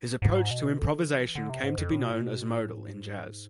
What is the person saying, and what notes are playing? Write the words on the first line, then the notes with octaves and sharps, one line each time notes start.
His approach to improvisation came to be known as modal in jazz.
G#2
B2
D3
E3
D3
C3
G#2
F2
A2
B2
A2
B2
A2
G#2